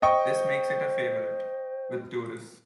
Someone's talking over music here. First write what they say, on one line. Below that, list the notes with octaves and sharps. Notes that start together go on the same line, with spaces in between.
This makes it a favorite with tourists.
C5 D#5 G5 C#6